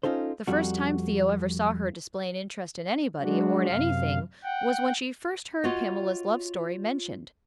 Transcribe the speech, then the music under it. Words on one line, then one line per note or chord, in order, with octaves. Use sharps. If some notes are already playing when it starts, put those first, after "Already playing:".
The first time Theo ever saw her display an interest in anybody, or in anything, was when she first heard Pamela's love-story mentioned.
C#4 D#4 F4 A4 C5
F2 G3 F#4
F#3 G#3 D4 F#4
F#2 C3 F5
F#5 G5
F4 F#4 C#5 D#5